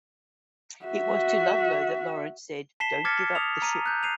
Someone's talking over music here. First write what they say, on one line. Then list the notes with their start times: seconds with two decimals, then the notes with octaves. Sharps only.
It was to Ludlow that Lawrence said Don't give up the ship.
0.85 F#4 E5
2.80 A5 B6 C7 E7 G7
3.05 D6 F6 G#6 A6 B6 C#7
3.35 D#6 F7
3.62 A#5 D#7
3.86 F#6 G6
4.03 C7 D#7 F7